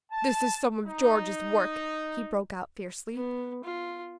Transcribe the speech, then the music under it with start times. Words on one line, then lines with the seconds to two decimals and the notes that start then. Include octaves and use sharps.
"This is some of George's work," he broke out fiercely.
0.11 A5
0.84 D#4
3.15 B3
3.64 F4